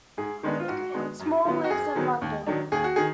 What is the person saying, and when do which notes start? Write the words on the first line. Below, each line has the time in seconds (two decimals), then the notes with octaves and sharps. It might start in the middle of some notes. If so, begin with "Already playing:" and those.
Small lives in London.
0.17 G#2 G#4
0.43 D#3 G#3 B3 D4
0.60 F4
0.68 G#2 F#4
0.94 D#3 G#3 B3 D4
1.20 F#2
1.45 D#3 F#3 B3
1.64 F#4
1.70 F#2 G#4
1.95 D#3 F#3 B3
2.21 D#2
2.46 D#3 F#3 D4
2.72 D#2 G#4
2.84 F#4
2.96 D#3 G#4